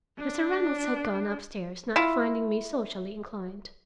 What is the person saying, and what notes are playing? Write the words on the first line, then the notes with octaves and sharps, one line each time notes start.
Mr. Reynolds had gone up-stairs, not finding me socially inclined.
D4
E4 F4